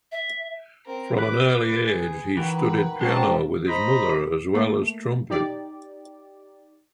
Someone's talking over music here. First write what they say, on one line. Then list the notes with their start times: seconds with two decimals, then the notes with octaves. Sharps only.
From an early age he studied piano with his mother as well as trumpet.
0.12 E5
0.86 C4 A#4
1.18 B4 D6
1.86 G#4
2.37 D#3 E3 F#4 B4
3.01 D3 G#3 C4 C#4 A5 A#5
3.68 C5 D#5 A#5 B5
4.54 A3 A#3
5.30 D#4 G4 D5